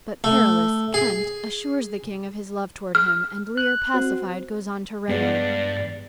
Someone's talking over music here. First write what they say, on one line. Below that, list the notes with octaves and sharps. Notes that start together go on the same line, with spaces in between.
But Perillus--Kent--assures the King of his love toward him, and Leir, pacified, goes on to Regan.
A3
G#4
F6
F#6
C4 F#4 C5
G2 G#3 B3 D5